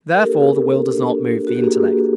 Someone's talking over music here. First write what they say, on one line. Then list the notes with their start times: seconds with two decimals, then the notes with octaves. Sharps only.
Therefore the will does not move the intellect.
0.15 A#4
0.22 A#3 D4 F#4 G4 A4
0.93 A#3 D4 F#4
1.47 F#4
1.55 G4
1.64 A#3 F#4 G#4